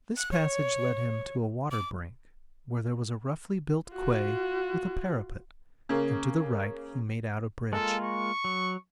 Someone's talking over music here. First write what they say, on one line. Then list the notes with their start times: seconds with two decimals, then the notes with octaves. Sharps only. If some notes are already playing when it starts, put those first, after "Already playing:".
This passage led him to a water-brink, where there was a roughly built quay with a parapet, and to the right he made out a bridge.
0.17 F#6
0.32 C#5
1.71 D6
3.91 F4 F#4
5.89 C#3 A#3
7.73 G#3 A#3 F4 A4
8.04 C#6
8.44 F#3